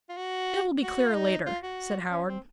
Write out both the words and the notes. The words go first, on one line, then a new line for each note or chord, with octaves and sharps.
"It will be clearer later," said Howard.
F4
F#4
F#4
F4
D#4
F4
F#4
C#4
C4